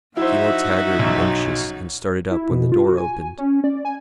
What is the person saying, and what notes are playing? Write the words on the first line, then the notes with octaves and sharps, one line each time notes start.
He looked haggard and anxious, and started up when the door opened.
F3 D#4 E4 F#4 C5 E5 F#5
B1 F#2
E4
B2
F4
F#4
G#5
C#4
D5
G#5